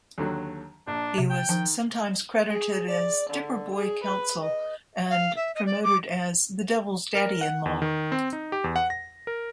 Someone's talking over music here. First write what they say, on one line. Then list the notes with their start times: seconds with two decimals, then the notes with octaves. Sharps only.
He was sometimes credited as Dipper Boy Council and promoted as "The Devil's Daddy-in-Law".
0.18 D#2 D3 F#3
0.87 A#1 D4
1.18 C3
1.30 G5
1.49 D#3 F3
2.46 G#4
2.88 D5
3.29 D3
3.74 G#4
4.03 B4
4.42 D#5
5.09 F5
5.35 E5
5.54 D#5
5.66 D5
5.83 D6
7.15 A#4
7.41 F#5
7.66 E2
7.82 D#3
8.12 C4
8.33 D#4
8.52 G4
8.64 E2
8.76 F#5
8.90 A#6
9.27 A#4